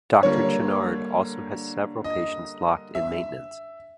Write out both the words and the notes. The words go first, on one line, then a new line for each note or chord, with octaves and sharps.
Doctor Channard also has several patients locked in Maintenance.
D3 G3 A#3 C#5
D#5
E5